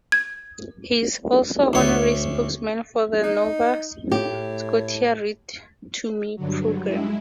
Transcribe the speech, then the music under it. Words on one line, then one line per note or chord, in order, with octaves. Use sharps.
She is also Honorary Spokesperson for the Nova Scotia Read to Me program.
G#6
D2 C#5
D#4
A2 G4
G2 D3 F#3
G#3 E4